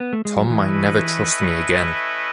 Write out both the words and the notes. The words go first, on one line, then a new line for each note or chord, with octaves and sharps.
Tom might never trust me again.
B3
A3
G#3
F#3
E3 A3 C#4 E4 B4 D#5